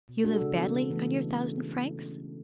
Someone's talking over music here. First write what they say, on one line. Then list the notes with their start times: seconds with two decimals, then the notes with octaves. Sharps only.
"You live badly on your thousand francs?"
0.09 B2
0.24 G#3 D4 F#4 A4
0.42 C#3
0.58 E3 B3
0.74 C#3
0.90 E3 A3
1.07 C#3